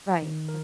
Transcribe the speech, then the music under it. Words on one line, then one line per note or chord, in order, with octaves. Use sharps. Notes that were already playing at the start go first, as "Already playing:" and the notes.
Right, like
D#3
A#4